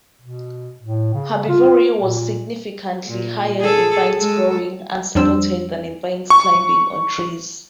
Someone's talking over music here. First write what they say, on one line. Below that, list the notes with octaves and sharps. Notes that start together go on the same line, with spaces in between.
Herbivory was significantly higher in vines growing unsupported than in vines climbing on trees.
B2
A2
C#3
F4
A#2
A#2
G#4 A4
G#3 A4
F2 G3 D4 C5 E6
C#6